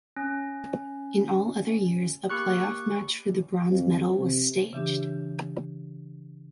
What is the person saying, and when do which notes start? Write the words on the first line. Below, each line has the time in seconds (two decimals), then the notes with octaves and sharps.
In all other years, a playoff match for the bronze medal was staged.
0.16 C#4
2.30 A#3 G4 C#6 F#6
3.70 F2
4.18 C3
4.73 C#3 E3 D4 G4